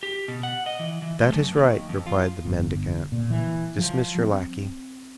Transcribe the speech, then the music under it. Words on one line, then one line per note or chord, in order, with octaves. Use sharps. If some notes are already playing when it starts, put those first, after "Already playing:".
"That is right," replied the mendicant; "dismiss your lackey."
G4
B2
F#5
D#5
E3
E3
A3
F#2
D#2
F2
F4
G1
A#2
E3
F3
C4